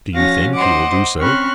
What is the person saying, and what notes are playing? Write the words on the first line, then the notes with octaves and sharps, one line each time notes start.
"Do you think he will do so?"
F3 C#4 F#4 F5 A#6
C5 D#5 F#5 D6
C4 C#4 B5 C#6 F6 F#6